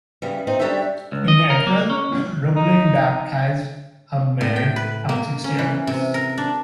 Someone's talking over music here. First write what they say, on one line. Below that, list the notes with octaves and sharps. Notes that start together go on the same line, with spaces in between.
In April Reublin baptized Hubmaier and sixty others.
C#3 E3 G3
C4 D#4
G3 D4 G4 A4 C#5 E5
C#2
D#5
A#4
A#3
C#4
D#4
A2
G5
B4
A#3
C#4
E3
C3
A#4
D4